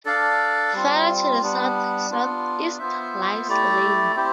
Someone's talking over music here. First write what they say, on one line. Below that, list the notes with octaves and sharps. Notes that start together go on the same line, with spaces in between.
Farther to the south-southeast lies Lane.
D4 A4 D5 F5
G3 C4 F4
G3 B3 D4
B3 D4 F4
B3 F4 C5 E5
A3 E4 G4 D5
C4 E4 G4 C5